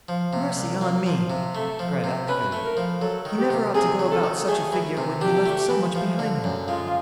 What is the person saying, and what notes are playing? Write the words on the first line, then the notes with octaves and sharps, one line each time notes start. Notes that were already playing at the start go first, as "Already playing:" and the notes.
'Mercy on me', cried out the Goody; 'he never ought to go about such a figure when he left so much behind him.
F3
C3
C2
A#3
F3
C3
A3 A4
F3
C3
C#4 B4
A3
A#4
F3
F#3 A4
D#3
G4
C3
C3 G#4
F#3
A4
D#3
A3 G#4
E3
C3
D4 G4
A3
E3
F3
D3
F#2
G#3 F4